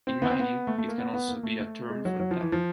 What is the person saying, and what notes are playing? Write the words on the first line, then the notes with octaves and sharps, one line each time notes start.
In mining, it can also be a term for theft.
C4
B3
C4
B3
A3
A3
A#3
B3
B3
A#3
A3
A3
G#3
F#3
F#3
F3
E3
F3